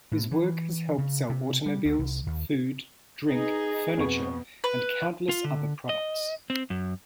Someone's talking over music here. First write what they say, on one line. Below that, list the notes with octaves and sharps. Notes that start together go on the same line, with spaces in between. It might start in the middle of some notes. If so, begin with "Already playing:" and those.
His work has helped sell automobiles, food, drink, furniture and countless other products.
A2
E3
C#3
C3
G3
D2
C2
D#2
D#4 G#4 B4
F2 B2 B3 B4 C#6
B4
F4
D3
D#5
C4
F#2